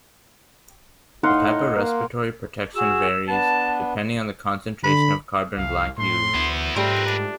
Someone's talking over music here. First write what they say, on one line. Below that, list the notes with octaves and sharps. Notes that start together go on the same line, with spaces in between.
The type of respiratory protection varies, depending on the concentration of carbon black used.
A2 D#4 F5 F#5 C6
A#3
F#4 G#4 E6
B3 D4 B4 A5
D3 B5
C2 F5
A2 C6
D2 B3 E4
G#2 G3 A3 C4 F4 A#4 B4
D4